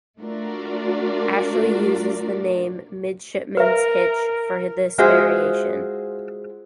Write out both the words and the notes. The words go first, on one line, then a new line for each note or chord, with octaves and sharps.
Ashley uses the name midshipman's hitch for this variation.
A3 D4 F4 F#4 A#4 D5
A#4 B4 E5
G#3 F4 F#4 G#4 C5 E5